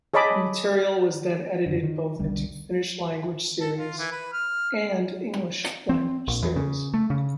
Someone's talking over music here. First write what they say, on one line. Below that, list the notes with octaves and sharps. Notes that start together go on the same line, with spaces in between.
The material was then edited both into Finnish-language series, and English language series.
G#4 C#5 D#5 A5 B5 D6
F#2 D3
D#3
E1 B1 D3 G3
A4
F4
E3
B4
F6
C4
A#1
E2
C#3
A3
C#3